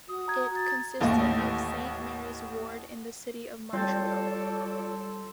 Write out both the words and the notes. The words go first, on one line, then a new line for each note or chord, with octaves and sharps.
It consisted of Saint Mary's ward in the city of Montreal.
F#4 D#6
A#5 G#6
A6
A1 D#2 A2 D#5
G3 C4 F4 A4 C#5 D5 A5 G6